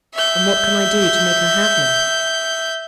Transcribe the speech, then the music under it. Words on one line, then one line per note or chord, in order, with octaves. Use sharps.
And what can I do to make her have me?
E5 G6